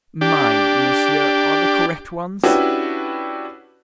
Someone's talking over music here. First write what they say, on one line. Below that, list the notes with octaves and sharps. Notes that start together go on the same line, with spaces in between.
"Mine, monsieur, are the correct ones."
D4 G4
C#4 D4 E4 F#4 G4 B4